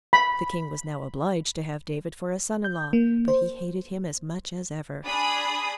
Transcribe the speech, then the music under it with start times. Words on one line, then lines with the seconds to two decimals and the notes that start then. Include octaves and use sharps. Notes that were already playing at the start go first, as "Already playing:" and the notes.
The king was now obliged to have David for a son-in-law. But he hated him as much as ever.
0.13 B5
2.64 G6
2.93 A#3
3.28 C5
5.05 D4 G#4 B5 D#6